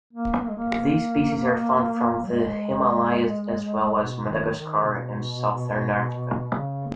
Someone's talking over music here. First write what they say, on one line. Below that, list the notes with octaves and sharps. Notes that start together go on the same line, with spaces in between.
These species are found from the Himalayas as well as Madagascar and Southern Africa.
A#3
B3
A#3
G#3
A#3
F#3
G#3
B2
D#3
D#3
B2
C#3